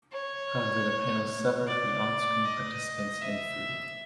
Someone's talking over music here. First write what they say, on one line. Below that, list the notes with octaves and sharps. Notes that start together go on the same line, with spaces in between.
However, the panels sever the onscreen participants in three.
C#5
D5
D#5
E5